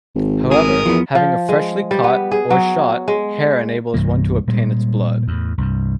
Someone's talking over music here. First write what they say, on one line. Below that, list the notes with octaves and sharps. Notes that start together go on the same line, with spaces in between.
However, having a freshly caught, or shot, hare enables one to obtain its blood.
G#1
G#4 A#4 D#6
E2 F3 B3
F3
G#3
G3
B3
G#4
F#3
G#3
C2 G2 E3 A#3
A#2 G3 G#3
E2 A2
C2 G2